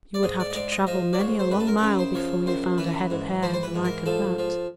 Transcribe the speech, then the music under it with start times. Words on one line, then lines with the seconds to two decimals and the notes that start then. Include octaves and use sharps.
You would have to travel many a long mile before you found a head of hair the like of that.
0.14 D5
0.23 G#2 D#5
0.40 D5
0.50 D#5
0.55 G#2 D5
0.72 D#5
0.87 F3 D#5
1.13 D5
1.19 G#2 C#5
1.39 C5
1.50 F#2 B4
1.60 A4
1.67 A#4
1.77 A#4
1.82 C#3 B4
1.99 C5
2.14 F3 C#5
2.46 F#2 C5
2.78 E3 B4
3.10 G#2
3.43 E3 C5
3.54 C5
3.63 B4
3.75 G#2
3.85 A#4
4.06 F3 A4
4.38 F3